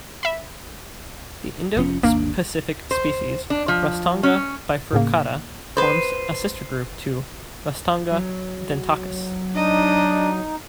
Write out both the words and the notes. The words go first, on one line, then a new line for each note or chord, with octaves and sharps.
The Indo-Pacific species "Rostanga bifurcata" forms a sister group to "Rostanga dentacus".
E5 B5
F1 F3 C#4
G#1 D#2 A#3 D4
C5
D4
F3
C#4
A2 C#3 A#3
B4 C5
F#3
D4 D#4 D#5